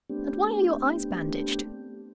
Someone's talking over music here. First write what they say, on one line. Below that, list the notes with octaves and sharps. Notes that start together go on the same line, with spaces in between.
'And why are your eyes bandaged?
A3 B3 C4 D4 G4